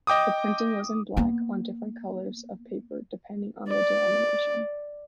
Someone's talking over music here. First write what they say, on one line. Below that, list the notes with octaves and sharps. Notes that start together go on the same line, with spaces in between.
The printing was in black, on different colors of paper depending on the denomination.
D#5 G5 D6 D#6
A#3 B3
D5